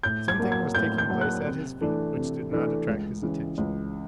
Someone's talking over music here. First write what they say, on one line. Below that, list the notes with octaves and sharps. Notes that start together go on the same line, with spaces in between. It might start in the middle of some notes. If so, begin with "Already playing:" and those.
Something was taking place at his feet which did not attract his attention.
A2 G6
G#6
F#3 A#3
G#6
A2 G6
G6
F#3 A#3
F#6
C3
E3 A3 D4
C3
E3 A3 D4
C#2
C#3 E3
C#2